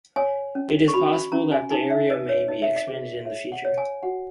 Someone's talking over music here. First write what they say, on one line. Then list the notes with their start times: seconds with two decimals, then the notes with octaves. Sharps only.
It is possible that the area may be expanded in the future.
0.16 C#5 G#5
0.55 C#4
0.88 C#6
0.94 F#4 B5
1.13 B5
1.32 C#4 A#5
1.52 G#5
1.70 D#4 G#5
1.90 E5
2.10 B4 D#5
2.29 C#5
2.48 D#4 D#5
2.62 E5
2.76 D#5
2.87 G#4
3.25 C#5 E5
3.52 F#5
3.65 C#5
3.78 G#5
4.03 F#4 F#5